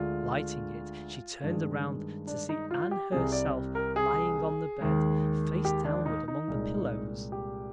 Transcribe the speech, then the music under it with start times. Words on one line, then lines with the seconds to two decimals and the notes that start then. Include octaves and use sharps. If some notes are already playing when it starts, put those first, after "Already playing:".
Lighting it, she turned around to see Anne herself lying on the bed, face downward among the pillows.
Already playing: D2 D3 G#3 F4
1.44 G2 D#3 G#3
2.27 D4
2.49 D#4
2.71 F4
2.91 G4
3.12 C2 C3 G3 G#4
3.32 D5
3.75 A#4
3.96 G#4
4.80 D#2 D#3 G#3
5.65 G4
5.85 D4
6.06 D#4
6.28 D#4
6.48 C2 A#2 G#3
7.32 G4